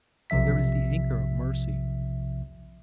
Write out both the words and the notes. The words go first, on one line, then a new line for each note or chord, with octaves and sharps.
There is the anchor of mercy.
B1 C3 F3 E5 B6